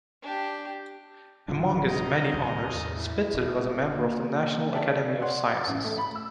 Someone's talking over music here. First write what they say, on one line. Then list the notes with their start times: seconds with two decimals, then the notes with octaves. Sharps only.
Among his many honors, Spitzer was a member of the National Academy of Sciences.
0.22 D4 G4
1.48 D1 G3 D4 F4
1.88 D#5 A#5
2.33 C2 A2
2.65 E2 A2
2.94 E4
3.34 D#1
3.92 A#3
4.73 D5 E5 G5 A5
5.21 C#5 F#5 C6
5.52 A6
5.67 A1
5.84 A3
5.98 B5
6.16 E6